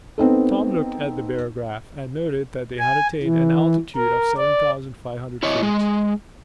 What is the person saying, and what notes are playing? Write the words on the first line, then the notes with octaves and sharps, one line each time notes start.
Tom looked at the barograph, and noted that they had attained an altitude of seven thousand five hundred feet.
B3 C4 D#4 A4
G#5
E3
A#4
D5
E4 C#5 D#5
G#3